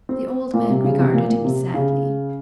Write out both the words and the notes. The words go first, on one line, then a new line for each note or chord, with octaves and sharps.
The old man regarded him sadly.
C4
A#2
C3
C#3
C3
A#2
A#2
C3
C#3